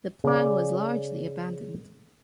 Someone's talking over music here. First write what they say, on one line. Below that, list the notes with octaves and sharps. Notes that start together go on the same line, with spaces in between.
The plan was largely abandoned.
C#3 D5